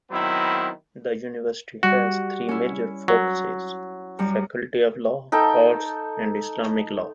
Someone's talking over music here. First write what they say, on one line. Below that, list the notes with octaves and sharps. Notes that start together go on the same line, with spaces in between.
The university has three major focuses: Faculty of Law, Arts, and Islamic Law.
D#3 F#3 B3 C4 E4
G3 F#4
C#4 E4
F#3
F#2 G3
D#4 A4 G5